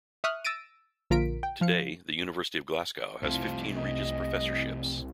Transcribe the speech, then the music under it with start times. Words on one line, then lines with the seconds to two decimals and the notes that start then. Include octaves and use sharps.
Today, the University of Glasgow has fifteen Regius Professorships.
0.24 E5 C#6 D#6 F6 F#6
0.45 E6 A6 A#6 D7 D#7
1.10 A#1 D3 F4 A#4 B6 D7
1.43 G5
1.61 F3 F5 C#7
3.23 C2 C3 F3 A3
3.77 D#5